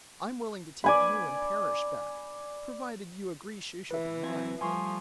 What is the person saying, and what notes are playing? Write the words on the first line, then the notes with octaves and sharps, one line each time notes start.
I'm willing to take you and Parrish back, provided you agree she shall be mine.
D5 G#5 B5
E3 B4 E5
F#3 C4 G#5
F3 G3 A3 G#5 C6 C#6